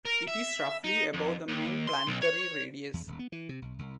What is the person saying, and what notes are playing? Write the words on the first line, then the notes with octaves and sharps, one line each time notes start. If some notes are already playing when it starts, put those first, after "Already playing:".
It is roughly above the mean planetary radius.
A#4
E5
D#4
F2
D#2
C6
B1
C#5
E2
D#1
B3
E3
C3
B1
C2